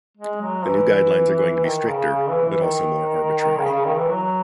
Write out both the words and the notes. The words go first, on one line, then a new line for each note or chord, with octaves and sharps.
The new guidelines are going to be stricter, but also more arbitrary.
G#3
F#3
E3
D#3
C#3
C#3
E3
E3
D#3
C#3
C#3
D#3
E3
F#3